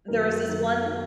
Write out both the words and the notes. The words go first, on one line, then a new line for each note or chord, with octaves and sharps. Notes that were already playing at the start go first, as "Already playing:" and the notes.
there was this one
F#2 D#3 F#3 A#4
F#2 D#3 F#3
D#3 F#3